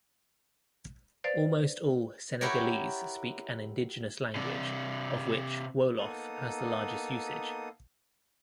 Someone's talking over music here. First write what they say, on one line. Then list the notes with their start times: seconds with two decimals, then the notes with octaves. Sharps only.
Almost all Senegalese speak an indigenous language, of which Wolof has the largest usage.
1.24 B4 C5 D5 F5 A6
2.41 E4 F#4 G4 A#4 C#5
4.36 C3 D4
5.98 A#3 B3 D#4 A4 D#6